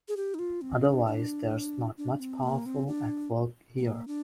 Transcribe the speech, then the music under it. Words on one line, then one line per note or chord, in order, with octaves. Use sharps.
Otherwise there's not much powerful at work here.
G#4
G4
D#4
F4
C4
D4
D4
D4
C4
A#3
C4
D4
A#3
D4